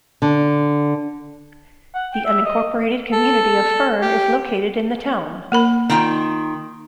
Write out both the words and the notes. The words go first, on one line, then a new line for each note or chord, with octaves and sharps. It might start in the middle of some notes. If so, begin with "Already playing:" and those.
The unincorporated community of Fern is located in the town.
D3
F#5
G5
E5
D#5
A4
G4
A#3 A#4 B5
D#3 F4 G5